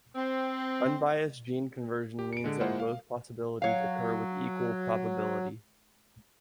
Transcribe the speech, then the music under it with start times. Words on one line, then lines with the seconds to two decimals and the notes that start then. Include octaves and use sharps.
Unbiased gene conversion means that both possibilities occur with equal probability.
0.15 C4
2.19 G4
2.33 C#7 D7
2.44 D3 G#3
2.60 G#3 A#3 E4 F4 C5 F#5
2.80 F5
3.62 F#3 C#5 F5